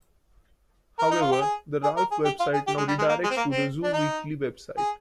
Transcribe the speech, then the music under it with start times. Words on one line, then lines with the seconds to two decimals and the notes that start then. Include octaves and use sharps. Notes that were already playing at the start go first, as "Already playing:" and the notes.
However the Ralph website now redirects to the Zoo Weekly website.
0.99 A#4
1.11 D#4
1.21 F4
1.32 G4
1.41 G#4
1.83 G#4
1.97 A#4
2.12 G#4
2.25 G4
2.40 F4
2.54 G#4
2.67 G4
2.78 G#3
2.88 G3
2.98 G#3
3.09 A#3
3.24 G#3
3.30 C4
3.37 A#3
3.51 C4
3.83 D4
3.93 D#4
4.78 G#4